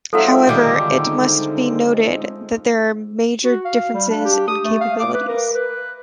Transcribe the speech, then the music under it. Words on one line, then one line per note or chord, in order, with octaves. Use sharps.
However it must be noted that there are major differences in capabilities.
F3 F#3 G#3 C4 D#4 A4 E5
D3 D#3 G3 G5 D6
F#4
F5
G3
D4
G4
D#6
A3
F5
D6
B4
A#4
B4